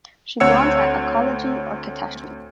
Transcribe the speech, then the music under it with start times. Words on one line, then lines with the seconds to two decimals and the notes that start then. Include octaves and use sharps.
She blogs at Ecology or Catastrophe.
0.40 D2 C4 C#5 F#5 E6 C#7